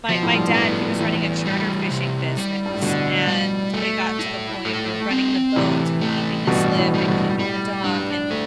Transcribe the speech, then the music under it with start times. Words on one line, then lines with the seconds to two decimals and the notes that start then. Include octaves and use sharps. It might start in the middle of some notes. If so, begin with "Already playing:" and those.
my my dad, he was running a charter fishing business, and it got to the point where running the boat, and keeping the slip, and keeping the dock, and
0.09 B2 F3
0.23 A2
0.35 G2
0.49 A2 B3
1.00 A2 E3
1.46 G3
1.91 C3
2.37 G3
2.66 G2
2.73 A2
2.82 G2 B2 D3
3.28 G3
3.74 A3
4.19 E4
4.65 A3
5.11 C4
5.56 A2 C3 E3
6.01 A3
6.47 G2 B2 E3
6.78 A2
6.94 G3
7.08 G2 B2
7.31 B2
7.39 A2 G3
7.84 G2 D4
7.99 G2
8.30 A3